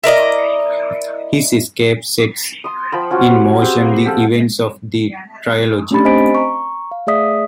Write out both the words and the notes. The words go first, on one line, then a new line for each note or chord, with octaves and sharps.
His escape sets in motion the events of the trilogy.
E4 A#4 D5 D#5
C6 D#6
F3 G5 B5
C#4 F4 F#4
F#4 G4
C4 G4 G#4 B4
G4 A4 F5 F#5
A3 C#4 D4 G4 B5 A6
C4 C5 D#5 G#5 B6 D7
A#5 C#6
F5
A3 G#4 D5 E5 D#6 B6